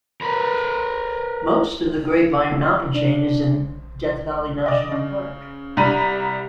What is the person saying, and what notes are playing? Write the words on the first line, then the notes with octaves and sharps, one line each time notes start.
Most of the Grapevine Mountain chain is in Death Valley National Park.
A#4 B4
D4
D5 D#5
C#3
C2 G3 A#5 B5 D#7